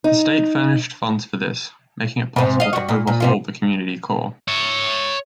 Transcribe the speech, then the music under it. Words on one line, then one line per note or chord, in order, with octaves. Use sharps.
The state furnished funds for this, making it possible to overhaul the community core.
D#4
G#2 C3
D#5 F5
G2 F#4
A#2
A#2
G#2 C3 F4
C#5 E5